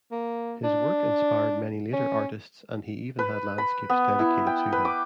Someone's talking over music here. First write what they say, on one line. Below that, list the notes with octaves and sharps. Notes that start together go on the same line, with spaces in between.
His work inspired many later artists and he even had landscapes dedicated to him.
A#3
D4
C#4
B4
B5
B3
E4
G5
B4
D6